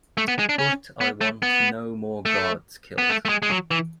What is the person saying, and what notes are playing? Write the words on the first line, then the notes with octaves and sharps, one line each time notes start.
But I want no more guards killed.
A3
B3
G#3
D4
C#4
B3
A3
B3
A3
B3
A3
A3
G#3
G#3
F#3
E3